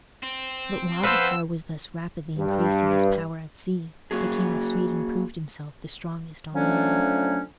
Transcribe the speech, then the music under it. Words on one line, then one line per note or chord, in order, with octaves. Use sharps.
But, while the Czar was thus rapidly increasing his power at sea, the King of Sweden proved himself the strongest on land.
C4
F3 B3 B4 C5 E6
G2
A#3 F#4 G#4
D3 F3 F#3 A3 C#4 D4